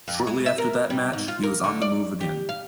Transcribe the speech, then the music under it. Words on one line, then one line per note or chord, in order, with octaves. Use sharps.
Shortly after that match, he was on the move again.
F2
G#3
E5
A#4
G3
G#2
F4
A#4
D3
D5
G4
F5